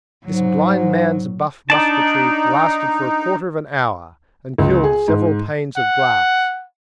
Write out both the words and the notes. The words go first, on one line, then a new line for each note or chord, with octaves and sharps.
This blind-man's-buff musketry lasted for a quarter of an hour and killed several panes of glass.
G#2 F#3
D4 D#4 D5 A5
C#2
G#4
G#2
F#5